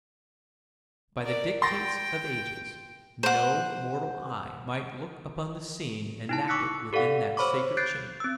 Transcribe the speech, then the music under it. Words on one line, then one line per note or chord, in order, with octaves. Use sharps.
By the dictates of ages no mortal eye might look upon the scene enacted within that sacred chamber.
A#4 D5
G5 C6 A6 A#6
C5 F#5
D#4 E4 A5
C#6 D6 E6 F#6 B6 C#7
G4 A4 D5 F5 F#5
C5 C#5 B5 C#6 D6
F#6 G6 A6 C7 D7
C4 E6